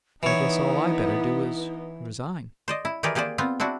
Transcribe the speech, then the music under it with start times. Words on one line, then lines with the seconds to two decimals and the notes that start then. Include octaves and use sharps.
"I guess all I better do is--resign!"
0.23 E3 B3 D#4 E4 C#5
2.68 C5 D5 D#5
2.85 E4
3.03 D#3 E3 G4 G#4 A#4 D5
3.15 A#3 G4 G#4 C5 D5
3.38 B3 C4 F4
3.60 C4 D4 E4 F#4